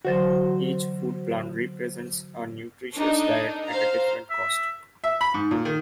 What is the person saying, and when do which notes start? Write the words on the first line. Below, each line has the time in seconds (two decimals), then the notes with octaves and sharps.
Each food plan represents a nutritious diet at a different cost.
0.05 D3 E3 F#3 F#4 C5
2.96 D4 D#4 A4
3.68 C5 F5 A#5
4.30 E5
5.04 E5
5.21 B5
5.34 G#2
5.51 A#2
5.65 D#3